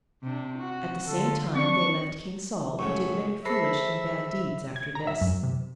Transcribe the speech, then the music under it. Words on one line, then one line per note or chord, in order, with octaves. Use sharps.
At the same time, they left King Saul, who did many foolish and bad deeds after this.
C3 D4
F#4
D3 F4 A4
C4 D4 D5 C#6
F#2 A2 C#3 C#6
G#4 A4 C5 E5 B5 A#6 C7
G#6
A#5
E5
F#2
C3